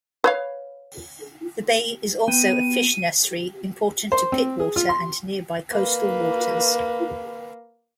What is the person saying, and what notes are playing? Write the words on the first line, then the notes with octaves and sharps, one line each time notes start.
The Bay is also a fish nursery important to Pittwater and nearby coastal waters.
B4 C#5 F5
B3 G5 D#7
C5
C4
G#4
F4
C6
A#3 B4